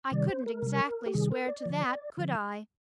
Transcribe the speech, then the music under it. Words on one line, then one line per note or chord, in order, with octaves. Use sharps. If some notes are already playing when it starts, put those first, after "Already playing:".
"I couldn't exactly swear to that, could I?"
C3 D#3 G3 D5
C5
A#4
C3 G3
G4
C3 D#3 G3 G#4
A#4
D5
D3 F3
D3 F3